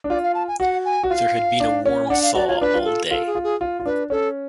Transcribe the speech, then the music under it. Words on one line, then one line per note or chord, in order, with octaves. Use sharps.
There had been a warm thaw all day.
D4
F4 D5
F5
A5
G#5
F#4 F#5
G#5
F#4
F4 F5
D4
C#4
G#5
D4 F#5
F5
F#4 D5
F4 C#5
D4 B4
F4
A4
F4 A4
G#4
F4
G#4
F4
F4
D4 B4
C#4 A4